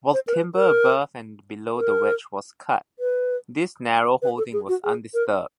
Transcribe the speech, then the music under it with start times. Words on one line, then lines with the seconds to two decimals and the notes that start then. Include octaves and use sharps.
While timber above and below the wedge was cut, this narrow holding was undisturbed.
0.13 C5
0.27 A#4
0.34 B4
0.55 A#4
1.77 A#4
2.99 B4
4.22 B4
4.38 A4
4.53 G#4
4.69 F#4
4.84 G#4
5.14 A#4